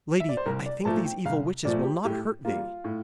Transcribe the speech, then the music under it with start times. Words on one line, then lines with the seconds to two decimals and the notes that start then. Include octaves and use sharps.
'Lady, I think these evil witches will not hurt thee.
0.20 E5
0.29 D5
0.37 C5
0.46 C2 A#4
0.66 D5
0.85 A#2 F3 A3 A5
1.05 G5
1.25 C2 F5
1.65 A#2 F3 A3 D5
1.84 G4
2.05 A2 G4
2.45 G3 A#3 F4
2.84 A2